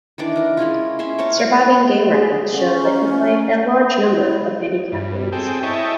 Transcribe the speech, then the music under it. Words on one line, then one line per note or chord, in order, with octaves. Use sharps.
Surviving game records show that he played a large number of handicap games.
D#3 E3 D4 D5
A#4 D5
G#3 C#4 E4 F4
C#4 E5 C6
A#4 C5 C#5 A5
B4 C#5
G#4 G#5 D#6
C#4 A4 F#5
D#5 A#5
E4
G2
C4 G#4 A4 G5
E4 C#5 D#5 G5 A5